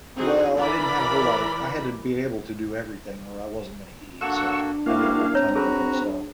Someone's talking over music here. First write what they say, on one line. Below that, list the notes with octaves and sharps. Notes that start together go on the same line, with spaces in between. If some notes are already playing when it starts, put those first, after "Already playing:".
Well, I didn't have a whole lot of I had to be able to do everything or I wasn't gonna eat, so I did a whole ton of different stuff.
C4 D#4 F#4 G#4
E3 A#4 D5 B5
A#3 D4 F#4 A4 F#5 C#6 E6
A#3 E4 F#4 G4 F5
C4 B4 C#5 A#5
F#4 G#4 A#4 B4 A5 A#5